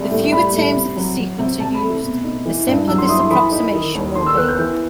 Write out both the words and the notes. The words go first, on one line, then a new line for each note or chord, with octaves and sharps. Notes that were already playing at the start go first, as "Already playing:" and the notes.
The fewer terms of the sequence are used, the simpler this approximation will be.
Already playing: C2 G3
A2
G3 B5
A2
C3
F#3
F#3
C3
C3 A5
B5
A3
B2
D#4
E3
G2
F#3 E6
C6
E4 D#6
C6
E3 B5
D#4
D#3
D#2
D#3 C6
E6
B3 F#6
G6
E3